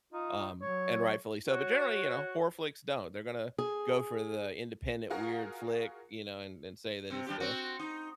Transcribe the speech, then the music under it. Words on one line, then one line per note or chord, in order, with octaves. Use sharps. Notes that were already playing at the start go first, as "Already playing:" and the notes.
um, and rightfully so, but generally, you know, horror flicks don't. They're gonna go for the independent weird flick, you know, and and say that it's the
D#4 F4
F#3 C#5
F#4 C#5
G#4
F4 F#4 G#4 A#4 F5
C3 C4
G3 D4 G4
C4 F#4
D#4